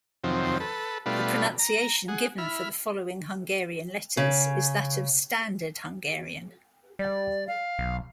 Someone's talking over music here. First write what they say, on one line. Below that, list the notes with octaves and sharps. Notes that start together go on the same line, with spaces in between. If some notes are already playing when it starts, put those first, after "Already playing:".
The pronunciation given for the following Hungarian letters is that of "standard Hungarian".
F2 C3 D#3 F3 F#3 C4
A4 B4
B2 G3 A3 D4 F4 B4
A#5
G#4 F#5
E4 B5 F6
C#3
G3 D5
F5
B1